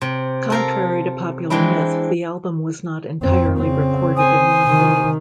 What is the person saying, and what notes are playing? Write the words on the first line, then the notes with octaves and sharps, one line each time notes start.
Contrary to popular myth, the album was not entirely recorded in one day.
C3
A4 A#4 F5
E3 G#3 C4 D4 E4
F2 C4
C#3 C4
C5 G#5 D#6
C3 D#3